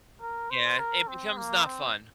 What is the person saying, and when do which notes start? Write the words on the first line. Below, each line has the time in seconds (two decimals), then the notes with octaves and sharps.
Yeah. It becomes not fun.
0.21 A#4
0.50 C5
0.79 A#4
1.08 C4
1.37 A#3
1.66 C4